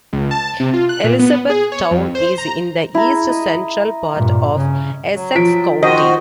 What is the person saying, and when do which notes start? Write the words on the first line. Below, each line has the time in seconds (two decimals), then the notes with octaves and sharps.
Elizabethtown is in the east-central part of Essex County.
0.13 C#2
0.31 A5
0.60 C3
0.73 F4
0.89 F#6
1.04 A#2
1.19 B3
1.50 G#4
1.72 C#5
1.91 F2
2.15 C5
2.38 A#5
2.95 E4 A#5
3.29 D#5
4.13 G2 A#2
4.54 C#3
5.14 F#3
5.35 F3 B6 D7
5.83 D#3 F#4 C5 D#5